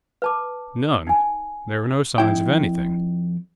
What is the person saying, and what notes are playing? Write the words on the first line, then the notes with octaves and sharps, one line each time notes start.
'None,--there were no signs of anything.
B4 A5 D6
D#4 G#5
F2 E4 G5